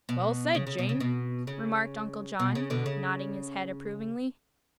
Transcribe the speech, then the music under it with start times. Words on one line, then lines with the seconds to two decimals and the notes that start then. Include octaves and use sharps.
"Well said, Jane," remarked Uncle John, nodding his head approvingly.
0.09 B2
0.55 C#3
0.67 C#3
0.79 B2
0.89 C#3
1.00 B2
1.47 C#3
2.40 B2
2.55 C#3
2.70 B2 D3
2.86 C#3